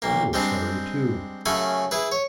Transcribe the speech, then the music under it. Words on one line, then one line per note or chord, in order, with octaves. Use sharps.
I was sorry, too.
B1 A#3
G3 G#3 C4 D4
F#2 C#3 A3 A4 G#5 B5
E4 G#4 B4
C#5